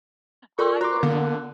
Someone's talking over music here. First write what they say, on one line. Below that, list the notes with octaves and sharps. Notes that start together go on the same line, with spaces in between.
I would
F4 A4 A#4 D5 C#6
F#4 A#5 C6 D6 F#6
D3 A#3 B3